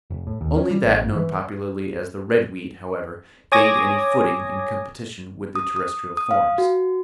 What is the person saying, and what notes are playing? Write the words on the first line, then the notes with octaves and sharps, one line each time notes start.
Only that known popularly as the red weed, however, gained any footing in competition with terrestrial forms.
F1
A2
D#2
C#4
G3
A1
G1
E3
C#5 G#5 D6 D#6 G#6 A#6
D#6
D#6
D#6
F5
F#4